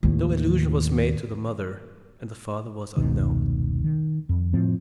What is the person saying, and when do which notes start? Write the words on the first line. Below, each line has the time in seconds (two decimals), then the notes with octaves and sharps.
No allusion was made to the mother, and the father was unknown.
0.03 D#2 A2
2.97 F1 C#2 B2 D#3
3.84 D#3
4.29 F2
4.53 A2 F3 C4